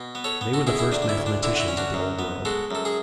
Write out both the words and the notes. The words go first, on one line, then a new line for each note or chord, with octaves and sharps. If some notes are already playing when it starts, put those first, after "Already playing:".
They were the first mathematicians of the Old World.
Already playing: B2
B3
A4 C#5
B3
F#4 A4
B2 E4 G#4
E4 G#4
D2 D4
D4
E4
D2
D4
D3 E4
F#4
E4
C#4
D4 F#4
F#2
B3
G#3 F#4 A4
F#2 A4
G#4